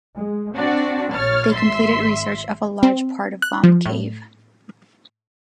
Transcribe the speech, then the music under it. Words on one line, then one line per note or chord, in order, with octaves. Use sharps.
They completed research of a large part of Vom Cave.
G#3
C4 D4 F#4 D5
A#1 C#5 F6 A6
G#1 E5 C6
C4
F#6
F3
A2